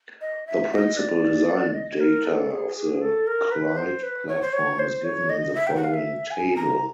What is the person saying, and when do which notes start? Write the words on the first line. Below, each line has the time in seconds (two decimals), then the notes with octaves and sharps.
The principal design data of the Clyde platform is given in the following table.
0.21 D#5
0.47 E5
0.73 D#5
0.98 D5
1.73 D#5
2.00 A#4
2.25 A4
2.51 G#4
2.75 G#4
3.01 A4
3.27 A#4
3.51 B4
3.77 C5
4.03 B4
4.28 C#5
4.42 C5
4.53 C#5
4.79 C5
5.04 C#5
5.30 D#5
5.55 E5
5.67 G5
5.76 F#5
5.84 F5
5.94 E5
6.31 G#5
6.56 A#5